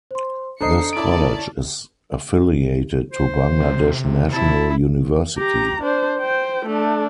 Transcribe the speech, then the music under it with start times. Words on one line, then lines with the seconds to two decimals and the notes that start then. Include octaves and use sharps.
This college is affiliated to Bangladesh National University.
0.11 C5 C6
0.61 D4 A4 C5 D#5 A#5 D#6 C7 C#7
0.93 C#4 E4 D5 A5 D7
3.12 C5
3.60 C3
4.33 E4 A5
5.38 G4 A#5
5.83 D4 C5
6.19 C5 G5
6.66 A3 D4